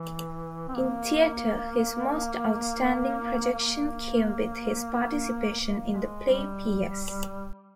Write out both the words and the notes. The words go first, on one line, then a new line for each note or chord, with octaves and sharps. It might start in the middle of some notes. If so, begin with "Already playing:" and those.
In theater his most outstanding projection came with his participation in the play ps.
Already playing: E3
C4
A#3
A#3
A#3
G#3
G3